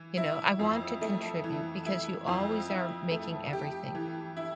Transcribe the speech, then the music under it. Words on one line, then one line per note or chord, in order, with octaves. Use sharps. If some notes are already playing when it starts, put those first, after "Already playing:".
You know, I want to contribute because you always are making everything."
Already playing: E3
E4
F2
A3
E3
E4
F2
E4
A3
G4
E3
E4